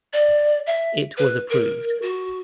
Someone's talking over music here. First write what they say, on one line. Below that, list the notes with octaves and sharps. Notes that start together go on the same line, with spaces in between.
It was approved.
D5
E5
B4
A#4
F#4